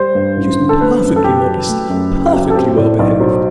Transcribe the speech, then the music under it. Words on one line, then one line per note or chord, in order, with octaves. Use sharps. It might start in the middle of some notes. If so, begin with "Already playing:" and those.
She was perfectly modest, perfectly well behaved.
Already playing: G3 C5
G2
A1
D3
A4
A3 B4
F#2
A4
F#1 G4
F#3
A3
F#2
F#1
F#3
A4
C4 G4
A2 D5
B1 D5
F#3 C5